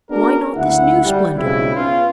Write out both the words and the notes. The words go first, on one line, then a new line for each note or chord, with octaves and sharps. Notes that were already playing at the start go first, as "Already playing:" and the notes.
Why not this new splendor?
B3 D4 F#4 G#4 A#4
F#1 D2 E4 F#5
G3
F#1 B1 C#3 G#3 C4 E4
B3 C#4 F4